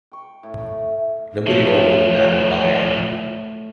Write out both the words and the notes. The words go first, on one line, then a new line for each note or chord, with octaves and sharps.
Nobody older than that will buy it.
G5 C#6
A2 A3
A2 F3 A3 C#5